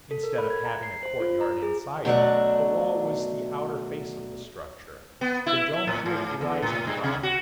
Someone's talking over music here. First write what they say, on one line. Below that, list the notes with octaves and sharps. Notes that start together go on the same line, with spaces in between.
Instead of having a courtyard inside it, the wall was the outer face of the structure, the domed roof rising from it.
A4
A#4
B5
G#6
A#5
C7
C5
F4
A#5
G#4
B2 F#3 A3 D4
B3
E4
E4
A2
G#2
E2
A2
G2
C3
F#4